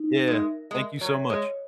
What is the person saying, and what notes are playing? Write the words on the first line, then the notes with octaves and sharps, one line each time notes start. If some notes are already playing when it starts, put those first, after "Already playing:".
Yeah. Thank you so much.
Already playing: D#4
E5
G#3
A#4
G#3 E5
F#3 C#5
G#3 C#5